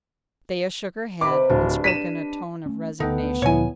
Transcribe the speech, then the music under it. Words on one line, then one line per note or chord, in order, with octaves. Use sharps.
Thea shook her head and spoke in a tone of resignation.
C3 B4 D#5 B5 D6
D1 D4
B6 D#7 E7
A3 C#4
D2 D3 B3 D#4 A4 F#5 G5
D2 A#2 F3 E4 C#5 G#5